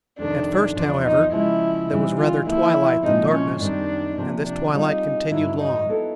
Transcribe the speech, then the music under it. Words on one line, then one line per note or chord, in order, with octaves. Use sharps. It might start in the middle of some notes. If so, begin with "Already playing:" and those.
At first, however, there was rather twilight than darkness, and this twilight continued long.
F2 C3 D#3 D4
E2 C3 F3 D4
D#4
C#3 F3 G#3 E4
E3 G3 C4 D#4
F4
D3 F3 A#3 E4
A#2 F3 G#3 C4 D#4
C#4
F#2 D#3 G3 C4 D4 D#4
C3 F3 A#3
D4
G3 C4 D#4 F4 G#4
G2 D#3 F#3 E4
D#4
F#3 B3 E4 A4